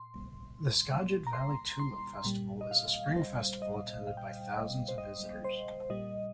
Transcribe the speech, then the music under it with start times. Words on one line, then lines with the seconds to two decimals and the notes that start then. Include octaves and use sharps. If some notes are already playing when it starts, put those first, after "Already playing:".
The Skagit Valley Tulip Festival is a spring festival attended by thousands of visitors.
Already playing: A#2 C6
1.27 A#5
1.33 C6
1.79 C6
2.25 A#2 G3
2.61 D#5
2.71 F5
3.16 C5
3.62 D#5
4.07 F5
4.17 G5
4.26 F5
4.53 D#5
4.88 C5
4.98 D#5
5.44 C5
5.90 A#2 G3 D#5